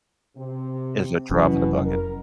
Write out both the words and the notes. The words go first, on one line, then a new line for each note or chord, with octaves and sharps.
It's a drop in the bucket.
C3
F1 B2 E3 F#3 C#4
A#4